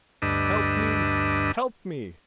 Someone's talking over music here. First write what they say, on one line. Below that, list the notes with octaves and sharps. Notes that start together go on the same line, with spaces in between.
Help me! help me!'
D2 G2 D4 B4 D#5 E6